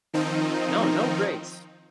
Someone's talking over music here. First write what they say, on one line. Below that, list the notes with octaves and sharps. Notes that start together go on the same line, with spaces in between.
No, no breaks.
D#3 F3 C4 D#4